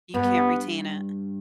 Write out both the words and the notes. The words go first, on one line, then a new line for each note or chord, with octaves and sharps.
You can't retain it.
G2 B3